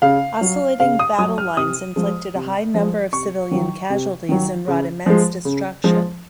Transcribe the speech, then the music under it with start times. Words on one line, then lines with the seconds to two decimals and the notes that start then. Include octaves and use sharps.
Oscillating battle lines inflicted a high number of civilian casualties and wrought immense destruction.
0.02 C#3 F5
0.41 F#3
0.80 C#3 F5
0.99 D#6
1.18 F#3 D#6
1.38 F6
1.57 C3 D#6
1.96 F3 G#3
2.35 C3
2.74 F3 G#3
3.12 C3 C#6
3.51 D#3 F#3
3.90 C3
4.29 D#3 F#3
4.68 C#3
5.06 F3 G#3
5.45 C#3
5.84 F3 G#3